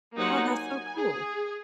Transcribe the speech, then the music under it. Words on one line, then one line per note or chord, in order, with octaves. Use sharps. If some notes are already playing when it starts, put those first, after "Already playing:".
Oh, that's so cool.
F#3 A#3 D#4 G4 C5 F#5
G#5
G#4